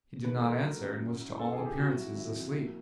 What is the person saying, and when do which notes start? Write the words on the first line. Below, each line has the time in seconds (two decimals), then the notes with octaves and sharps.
He did not answer, and was to all appearances asleep.
0.24 D#3 B4
0.37 A4
0.44 A3
0.50 A#4
0.63 F#3 A#4
0.82 F#2
1.01 F#3
1.20 E4
1.39 B3 A4
1.52 G#4
1.59 D#3
1.65 G4
1.77 C3 F#4
1.96 F#3 E4
2.15 D#3 E4
2.35 F2
2.54 A#3